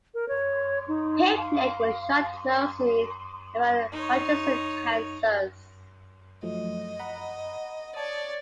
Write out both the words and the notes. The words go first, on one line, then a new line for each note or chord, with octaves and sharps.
"Picnic" was shot mostly around Hutchinson, Kansas.
A#4
C#5
D#4
F5
D#4 C#5
F3 F#3 A3 D#5
F#5 A#5 B5
C#5 D5 A5 D#6